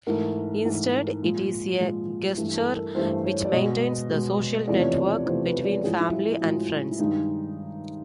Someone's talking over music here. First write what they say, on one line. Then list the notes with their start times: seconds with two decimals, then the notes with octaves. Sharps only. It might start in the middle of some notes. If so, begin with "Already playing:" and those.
Instead, it is a gesture which maintains the social network between family and friends.
0.07 G#2 E3 A3 A#4
0.65 G#2 E3 A3
1.23 A#2 F3 G#3
1.80 A#2 F3 G#3
2.38 G2 E3 A3
2.57 A4
2.76 A#4
2.95 G2 E3 A3 C5
3.24 C#5
3.45 D5
3.52 B2 G#3 D#5
4.10 B2 G#3
4.68 E2 C3 F3 A3 D5
4.81 C#5
4.93 D5
5.25 E2 C3 F3 A3 C5
5.46 B4
5.65 D5
5.83 A2 F3 G#3 G#4
6.00 E4
6.13 F4
6.41 A2 F3 G#3 F#4
6.91 E4
6.99 G2 D#3 G#3 D#4